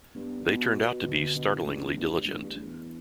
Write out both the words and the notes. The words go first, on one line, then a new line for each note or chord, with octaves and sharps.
They turned out to be startlingly diligent.
G2 B3
B2 B3
B2 B3
D3
B2 D4
A2
G2 A3
E2
G2 D4
G2 A3
E2
G2
E2 D4